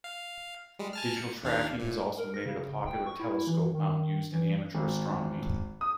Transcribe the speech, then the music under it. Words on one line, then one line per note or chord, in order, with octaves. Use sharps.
Digital tracking has also made it a popular telescope mount used in amateur astronomy.
F5
G3 G#3
G#5 A5 F6
C#7
D#2 D4 F5
A#2
A#4
A#6
C#3
G5
C#6
E4
E3
D#3
E3
G#1
D#6